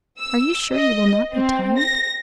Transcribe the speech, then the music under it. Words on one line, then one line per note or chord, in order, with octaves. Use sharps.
Are you sure you will not be tired?'
E6
D#5
C4
A#6